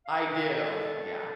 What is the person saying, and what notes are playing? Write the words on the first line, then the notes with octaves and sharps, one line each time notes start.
I do. Yeah.
F5
B4
A4
A4
A4
A4